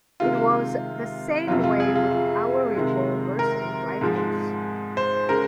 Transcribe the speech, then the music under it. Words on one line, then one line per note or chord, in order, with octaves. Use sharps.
It was the same way with our revolvers and rifles.
C3 D#3 G#3 F4
F2 C3 F#3 F4
F4
G#4
F4
F4
C3 D#3 G#3
A#4
G#2 F3 G#3
C5
C#3 G#3 A#4